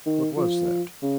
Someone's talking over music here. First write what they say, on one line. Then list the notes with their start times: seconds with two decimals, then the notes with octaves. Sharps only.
What was that?
0.06 D#3
0.37 F3
1.02 C#3